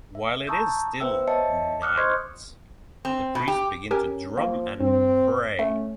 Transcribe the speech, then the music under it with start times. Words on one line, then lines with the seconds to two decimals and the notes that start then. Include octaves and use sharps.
While it is still knight, the priest begins to drum and pray.
0.15 E5
0.47 A5 A#5 C#6 D#6 E6 G6
1.00 B3 B4 C5 E5 G5 E6
1.27 C#5 D#5 E5 A5 C#7
1.82 D6 D#6 F6 F#6 C#7
1.97 C5 D#5 C6 C#6 G6 G#6
3.05 C4
3.35 B2
3.48 G4
3.91 C#4 G4 A#4 G#5
4.37 F3 A#3
4.81 G2 C4
5.59 A3 C#4